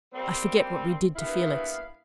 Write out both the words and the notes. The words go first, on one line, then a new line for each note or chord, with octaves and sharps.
I forget what we did to Felix.
G3 A#3 C4
G2 A#3 B3 E4 F5